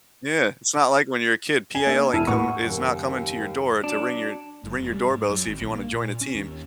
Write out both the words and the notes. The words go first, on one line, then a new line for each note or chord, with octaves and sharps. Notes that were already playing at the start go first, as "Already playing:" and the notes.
Yeah, it's not like when you're a kid, PAL ain't come is not coming to your door to ring your to ring your doorbell, see if you wanna join a team.
G#5
A#3 D4 E5
E1 E4 A5 E6 F6 D#7
A2 A#3 B4 F#5 C#6
F#1 D#2 D#3
F#3 D4
F#1
F1
G3
G#2
F#2
G#1
A#1
A#3
A#2
C#4
D#2